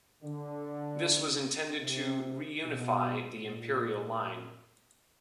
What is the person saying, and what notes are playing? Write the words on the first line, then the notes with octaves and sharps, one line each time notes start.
This was intended to reunify the Imperial Line.
D3
C3
B2
A#2